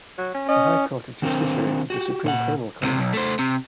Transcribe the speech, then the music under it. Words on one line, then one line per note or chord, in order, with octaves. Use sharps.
The High Court of Justiciary is the supreme criminal court.
F#3
C#4
C#4 D#5
D#3 C4 D4 A#4 C5
F#4 G4
A#2 C5 F#5
C#2 C3
B1
A3 C5
C3